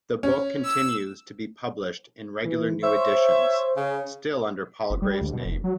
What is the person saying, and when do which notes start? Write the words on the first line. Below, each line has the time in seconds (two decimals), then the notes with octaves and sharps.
The book continues to be published in regular new editions; still under Palgrave's name.
0.23 C#4
0.64 E6
2.45 E3
2.83 C5 C#5 E5
3.77 C#3
4.90 G1
5.02 G3
5.21 D2
5.33 B2
5.45 F1
5.64 F#3